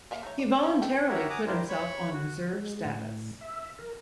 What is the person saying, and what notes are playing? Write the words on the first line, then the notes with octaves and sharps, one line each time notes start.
He voluntarily put himself on reserve status.
A#3 E5 F5
A3 D#4 C#5
D5
F3 C#5
A4 D5 G5
F#4 G4 A#4 C#5 E5 F#5
F#5 G#5 A#5 D6 D#6
D4 E4 F4 G4 A#4 C5
C#5 B5 C#6
F#4
G#3
A2
E5
A#4